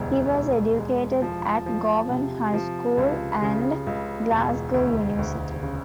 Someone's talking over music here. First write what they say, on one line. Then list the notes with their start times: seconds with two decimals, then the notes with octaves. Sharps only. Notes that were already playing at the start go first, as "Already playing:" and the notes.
He was educated at Govan High School and Glasgow University.
Already playing: E1 D2 G3
0.35 E1
0.78 G#3
1.22 F3
1.66 F3
2.10 C3
2.54 F3
2.98 C#2
3.42 C#3
3.87 C#2
4.30 E1
4.74 D2
5.19 D2
5.63 C#3